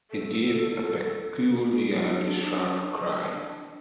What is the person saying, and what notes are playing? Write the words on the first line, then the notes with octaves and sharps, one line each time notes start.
It gave a peculiarly sharp cry.
A4
F4
E4
D#4
D4
D4
C#4
D4